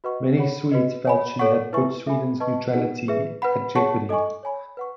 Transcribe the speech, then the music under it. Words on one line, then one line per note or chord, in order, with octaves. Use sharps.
Many Swedes felt she had put Sweden's neutrality at jeopardy.
F#4 B4 D#5 F#5 C#6
G#4 C#5 F#5 B5
F#4 B4 D#5
C#5 G#5 B5
A4 C#5 F#5 C#6
E4 B4 E5 G#5 C#6
A4 E5 G#5 B5
B4 D#5 A5 C#6
D#4 G#4 B4 F#5
G#4 B4 E5
B4 F#5 B5
G#4 C#5 F#5 A5 C#6
A4 D#5 G#5 C#6
C#5 G#5 B5
B4 F#5 C#6